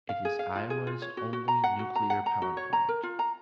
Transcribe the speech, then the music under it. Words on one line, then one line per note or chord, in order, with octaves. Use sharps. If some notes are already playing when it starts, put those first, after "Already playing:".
It is Iowa's only nuclear power plant.
F5
G#4
F5
F4
G#4
F4
C#5
F#4
F#4
A#5
F#5
F#4
A#5
F#5
A#5
F#4
C#5
A#5
A#4
F4
A#5